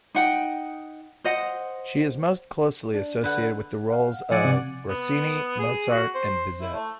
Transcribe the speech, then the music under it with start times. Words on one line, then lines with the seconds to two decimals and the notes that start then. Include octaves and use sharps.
She is most closely associated with the roles of Rossini, Mozart, and Bizet.
0.15 D#4 F#5 G5
1.24 C5 D#5 F#5
2.94 D4
3.24 D3 B4 F#5
3.90 F5 F#5
4.31 F3 D5 F#5 G#5
4.45 C3
4.89 B3
5.59 G#4
5.90 F#4
6.15 C5
6.61 E4
6.74 A3